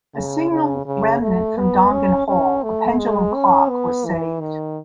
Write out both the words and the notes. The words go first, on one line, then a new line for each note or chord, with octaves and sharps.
A single remnant from Dongan Hall, a pendulum clock, was saved.
C#3
C#3
C#3
A3
B3
C#4
C#4
A3
G#3
C#4
B3
E3
D#3